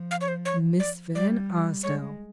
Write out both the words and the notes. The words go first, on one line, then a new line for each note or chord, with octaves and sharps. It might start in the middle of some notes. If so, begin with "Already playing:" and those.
"Miss Van Arsdale!"
Already playing: F3
F5
C#5
C5
C#5
D5
G3 D5
G#3 C#5